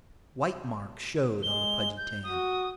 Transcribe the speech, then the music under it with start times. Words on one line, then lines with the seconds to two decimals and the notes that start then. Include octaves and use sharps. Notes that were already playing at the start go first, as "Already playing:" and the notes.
White marks showed on the pudgy tan.
1.43 G#3 G7
1.97 G6
2.24 F#4 D#6